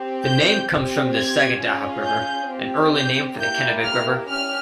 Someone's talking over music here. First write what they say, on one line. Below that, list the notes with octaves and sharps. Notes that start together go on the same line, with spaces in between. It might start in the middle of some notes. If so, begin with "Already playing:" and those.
The name comes from the "Sagadahoc River", an early name for the Kennebec River.
Already playing: C4 G4
G6
C4 G4
G#6
C#4 F4 G#4
G6
C4 G4
G6
A#3 E4 G4 G6
F6
C#4 G4 F6